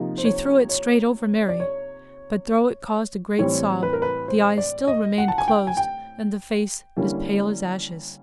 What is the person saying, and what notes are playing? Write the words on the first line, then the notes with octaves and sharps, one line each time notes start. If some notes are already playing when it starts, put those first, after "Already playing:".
She threw it straight over Mary; but though it caused a great sob, the eyes still remained closed, and the face as pale as ashes.
Already playing: C3 F3 A#3 D#4
C5
C#5
C#5
D5
C#5
A2 E3 G3 C4 C#5
B4
A#4
B4
C5
D5
D#5
F#5
A5
G#5
G5
G#5
G5
D3 G3 A#3 C#4 E4